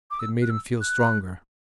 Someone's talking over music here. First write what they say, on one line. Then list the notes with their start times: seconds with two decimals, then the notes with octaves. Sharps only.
It made him feel stronger.
0.11 D6
0.19 E6
0.42 F#6
0.50 E6
0.81 F#6